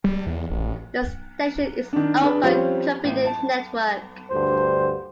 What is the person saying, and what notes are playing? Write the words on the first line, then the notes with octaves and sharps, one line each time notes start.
The station is owned by Covenant Network.
G3
E2
A1
D#3 D4
D4 G#4 B4
F3 G3 C4 C#4 C#5 F5
A1
A5
D2 G2 D3 C5